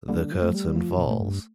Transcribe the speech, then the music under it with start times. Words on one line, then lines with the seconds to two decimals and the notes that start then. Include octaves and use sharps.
The curtain falls.
0.08 D3 G3 A#3
0.32 F3
0.42 A3
0.54 G3
0.76 F3 A3
0.99 A#2
1.11 A3
1.21 G2